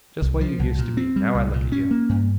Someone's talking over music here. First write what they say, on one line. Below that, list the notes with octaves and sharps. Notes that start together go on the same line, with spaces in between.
Just what you used to be, now I look at you!
C2
F3
C2
A#2
C4
G3
C2
A#2
C#4
A#3
G2